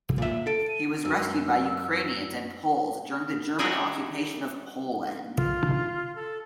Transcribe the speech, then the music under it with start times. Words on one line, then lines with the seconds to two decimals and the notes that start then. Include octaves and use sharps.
He was rescued by Ukrainians and Poles during the German occupation of Poland.
0.18 A#2 E5
0.47 A4 D7
0.69 D#7
1.05 F#2 E6
3.59 G3 D#4 G4 G#4 E5 F#5
5.36 F4
6.15 A4